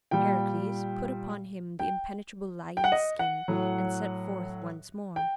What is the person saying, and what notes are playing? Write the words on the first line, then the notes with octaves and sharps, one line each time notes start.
Heracles put upon him the impenetrable lion's skin and set forth once more.
A#2 G3 G5
G5
G5
F#5
D#5
F#5
A2 F#3
G5